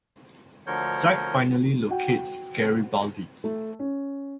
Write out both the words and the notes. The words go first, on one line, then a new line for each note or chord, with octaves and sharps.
Zack finally locates Garibaldi.
D2 D3 F3 A#4 C#5 G6
F#4 F#5 G5
A3
C#4